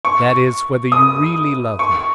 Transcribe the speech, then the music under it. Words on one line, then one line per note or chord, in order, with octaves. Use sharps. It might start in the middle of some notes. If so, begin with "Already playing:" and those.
"That is, whether you really love me?"
C#6
D#6
C#6